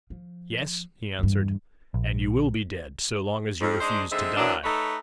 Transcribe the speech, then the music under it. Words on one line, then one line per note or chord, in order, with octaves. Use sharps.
"Yes," he answered; "and you will be dead, so long as you refuse to die."
F3
E2 G2
A#1
F2
G#3 D4 D#4 C5
D3 G#3 C4 D#4 E5
F#2 E3 F#3 D4
A3 D#4 A4 B4 C#5